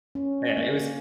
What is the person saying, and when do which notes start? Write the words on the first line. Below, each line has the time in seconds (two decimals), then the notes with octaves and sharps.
Yeah, it was
0.15 C#4
0.57 A#3